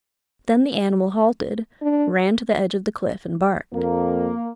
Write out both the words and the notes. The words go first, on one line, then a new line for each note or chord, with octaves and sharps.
Then the animal halted, ran to the edge of the cliff and barked.
D4
F2 A#3